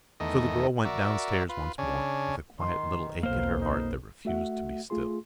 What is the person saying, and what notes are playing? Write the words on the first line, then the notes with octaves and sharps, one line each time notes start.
So the girl went downstairs once more, with a quiet little ache at her heart that refused to be still.
E2 D#3 A3 D#5
F#4 A#4 D5 E5
F4 B4
C#3 C#4 D4
D#3 C6
B1 F2 A#3 C5 F5
D#4
A3 F#4 E5 F#5
A3 F4 G#4 C6